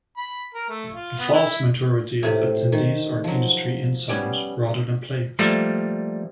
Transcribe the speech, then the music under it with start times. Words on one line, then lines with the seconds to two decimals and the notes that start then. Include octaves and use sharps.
The vast majority of attendees are industry insiders, rather than players.
0.17 B5
0.54 A#4
0.70 A3
0.93 F4
1.19 B3
1.34 E4
2.23 A2 C3
2.72 D#3
3.24 F3 F#3
4.09 G3 B3 C#4
5.39 F3 G3 A3 A#3